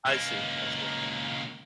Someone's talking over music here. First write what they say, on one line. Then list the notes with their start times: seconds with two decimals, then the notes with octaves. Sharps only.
I see, I see.
0.06 C#2 A#3